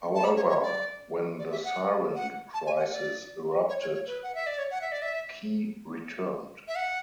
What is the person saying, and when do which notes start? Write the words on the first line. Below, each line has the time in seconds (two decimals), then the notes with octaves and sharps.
However, when the "Siren" crisis erupted, Kei returned.
0.15 A5
0.24 B5
0.36 C#5
0.49 C#5
0.62 D5
1.39 D5
1.51 E5
1.65 F#5
2.15 F#5
2.54 A5
2.67 G#5
2.79 F#5
2.92 D5
3.69 C#5
3.81 C#5
3.94 C#5
4.07 B4
4.23 F#5
4.35 E5
4.47 D5
4.58 C#5
4.71 F#5
4.81 E5
4.92 D5
5.02 E5
6.68 E5
6.76 F#5